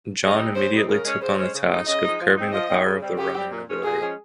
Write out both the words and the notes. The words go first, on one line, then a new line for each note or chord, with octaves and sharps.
John immediately took on the task of curbing the power of the Roman nobility.
C#3 D#5
G3 C4 D#4
C#3 C5
G3 C4 D#4
C#3 A#4
G#3 C#4
C#3 C5
G#3 C#4
C#3
F3 G#3 D#4
C#3 D#5
F3 G#3 D#4
F3
C4 D#4
F3 D#5
C4 D#4
C#3
G3 C4
C#3 G4
G3 C4
A#2
F3 G#3 C#4
A#2 G#4
F3 G#3 C#4